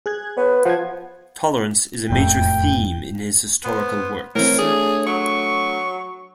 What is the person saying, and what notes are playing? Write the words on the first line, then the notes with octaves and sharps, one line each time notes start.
Tolerance is a major theme in his historical works.
G#4 F#6 G#6
B3 C#5
F3 F#5 G#6
E1 F2 A2 G5
B3 C5
A2 E3 C4 A#4 C#5
A3 D4 G#4
F#3 C#6